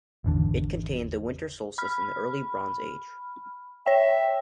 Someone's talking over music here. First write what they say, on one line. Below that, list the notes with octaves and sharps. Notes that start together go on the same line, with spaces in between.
It contained the winter solstice in the Early Bronze Age.
G#1 E2 D3
B5 F6
C#5 E5 G5